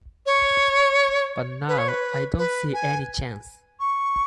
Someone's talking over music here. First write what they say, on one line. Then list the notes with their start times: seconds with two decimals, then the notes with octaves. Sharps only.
But now, I don't see any chance.
0.26 C#5
1.68 B4
1.78 C#5
1.88 B4
2.38 B4
2.74 G#5
3.80 C#6